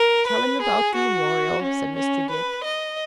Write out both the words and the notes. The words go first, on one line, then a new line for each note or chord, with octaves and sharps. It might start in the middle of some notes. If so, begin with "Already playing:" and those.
'Tell him about the Memorial,' said Mr. Dick.
Already playing: A#4
B4
G#4
F#4
C#4
C#4
B4
D#5